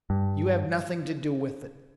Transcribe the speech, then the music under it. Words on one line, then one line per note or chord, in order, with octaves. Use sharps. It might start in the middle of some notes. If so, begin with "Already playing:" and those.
You have nothing to do with it.
G2